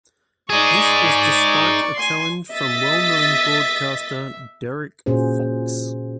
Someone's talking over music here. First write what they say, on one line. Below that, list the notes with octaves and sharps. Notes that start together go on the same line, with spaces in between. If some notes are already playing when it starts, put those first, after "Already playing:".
This was despite a challenge from well-known broadcaster Derek Fox.
D#4 G#4 D5 C#6
G#5 C6
D#5 E5 A6 B6
A#2 C#4 F#4 G#4 C5